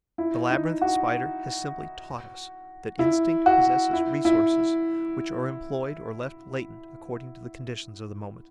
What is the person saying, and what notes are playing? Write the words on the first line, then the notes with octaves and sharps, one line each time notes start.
The Labyrinth Spider has simply taught us that instinct possesses resources which are employed or left latent according to the conditions of the moment.
E4
D#4
F#4
E4
F#4
E4
E4